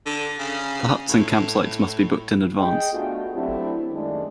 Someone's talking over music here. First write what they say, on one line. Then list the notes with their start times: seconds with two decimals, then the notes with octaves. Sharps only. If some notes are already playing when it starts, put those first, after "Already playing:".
The huts and campsites must be booked in advance.
0.06 D3
0.39 C#3
1.09 A2
2.59 G#4 D#5 G5
2.93 A3 B3 D4 F4 F#4
3.33 F#3 A3 C4 D4 E4 G4
3.91 F#2 D#3 G#3 A3 D4